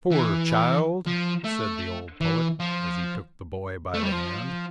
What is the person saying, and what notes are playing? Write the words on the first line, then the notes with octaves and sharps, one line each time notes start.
"Poor child!" said the old poet, as he took the boy by the hand.
E3
F3
A3
E3
F3
A3
G3
F3